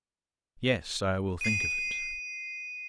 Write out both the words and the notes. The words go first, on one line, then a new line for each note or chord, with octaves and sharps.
"Yes; I will think of it."
C7 D#7